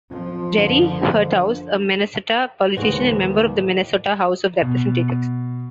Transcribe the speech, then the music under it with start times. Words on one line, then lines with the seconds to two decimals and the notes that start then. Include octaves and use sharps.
Jerry Hertaus - A Minnesota politician and member of the Minnesota House of Representatives.
0.10 F2 F3
0.58 F#1 D3
2.77 D#2 A2 D3 E3 G#3 F#4 B4 C5
4.62 B2